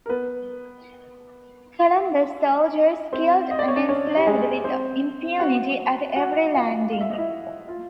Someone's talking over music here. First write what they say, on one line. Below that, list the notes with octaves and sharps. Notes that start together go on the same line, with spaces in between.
Columbus's soldiers killed and enslaved with impunity at every landing.
A#4
B3 B4
C4 C5
D#5
D5
C#5
D4 D5
C#4 C#5
G4
G#3 G#4
C4 C5
F#4 F#5
F#4 F#5
F4 F5
F5
E5
D#5
E4 E5
F4 F5